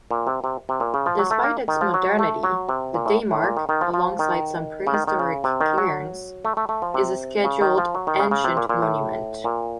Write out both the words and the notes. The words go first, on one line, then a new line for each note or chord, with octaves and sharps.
Despite its modernity, the daymark, alongside some prehistoric cairns, is a Scheduled Ancient Monument.
A#2
C3
C3
C3
A#2
C#3
F3
F#3
A3
A#3
D#3
F3
F#3
A3
F#3
C3
A#2
A2
A2
A#2
D#3
D#3
F3
F3
D#3
C#3
D#3
D#3
C#3
C3
D#3
F#3
A3
A3
A3
F3
C3
C#3
D#3
F3
F#3
D#3
C#3
C#3
C3
A#2
A#2
A2
A#2